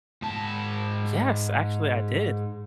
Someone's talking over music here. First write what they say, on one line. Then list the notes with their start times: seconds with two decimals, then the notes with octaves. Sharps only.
Yes, actually, I did.
0.22 G#2 A5